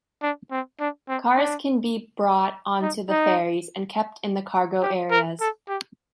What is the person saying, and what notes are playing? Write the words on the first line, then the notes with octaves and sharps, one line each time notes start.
Cars can be brought onto the ferries and kept in the cargo areas.
D4
C4
D4
C4
D4
D#4
D#4
G4
A#4
A4
G4